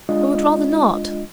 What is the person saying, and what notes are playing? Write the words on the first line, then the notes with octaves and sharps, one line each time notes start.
I would rather not.'
G#3 D4 F4 D#5